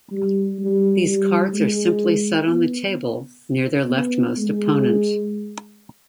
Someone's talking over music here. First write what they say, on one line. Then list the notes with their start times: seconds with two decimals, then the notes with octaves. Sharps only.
These cards are simply set on the table near their left-most opponent.
0.11 G3
0.59 G3
1.07 G3
1.54 G#3
2.48 B3
3.90 B3
4.38 G#3